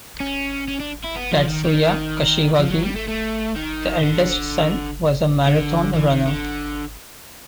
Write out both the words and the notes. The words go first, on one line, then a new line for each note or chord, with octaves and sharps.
Tatsuya Kashiwagi, the eldest son, was a Marathon runner.
C#4
C#4
D4
E4
B3
F3
D#3
D#3
F3
F#3
G3
A3
A3
D#3
D3
D3
E3
D#3
D3